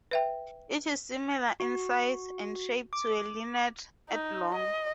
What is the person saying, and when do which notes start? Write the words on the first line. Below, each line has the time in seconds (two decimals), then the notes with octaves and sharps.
It is similar in size and shape to a linnet, at long.
0.11 B4 E5 G5
1.60 F#4
2.93 D6
4.10 D#4
4.55 D#5